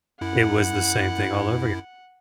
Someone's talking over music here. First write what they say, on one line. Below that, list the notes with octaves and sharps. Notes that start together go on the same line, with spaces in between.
it was the same thing all over again.
F#2 E4 F#5